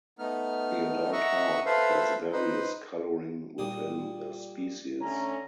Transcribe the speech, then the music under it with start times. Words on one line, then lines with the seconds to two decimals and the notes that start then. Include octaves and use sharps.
The adult hawk has various colouring within the species.
0.19 A3 B3 D#4 F6
1.13 D#5 E5 F#5 A#5 C#6 E6
1.66 A4 B4 C5 E5 F5
2.32 D#4 B4 C5
3.58 A#2 G3 D#6
5.01 D3 A3 C#4 A#5